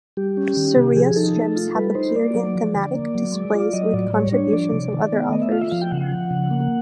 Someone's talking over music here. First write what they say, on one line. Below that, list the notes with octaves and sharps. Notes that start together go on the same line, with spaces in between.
Soria’s strips have appeared in thematic displays with contributions of other authors.
G3 G4
C#4
D#3
C3
F3 G#4
D#4 A4
A3
F4
G3 B4
D#4 C5
A#3 D5
F#3
F3
D3
A#3
F#3
G#3
F4
F#3 D#5
A2 D5
G3 C#5
D4 C#5
F3 D5
C3
D#3
B3
A3 D#5
E5
F4 F5
E5
F3 F5
G5
C#3 F#5
F#5
F3
C#3
A#3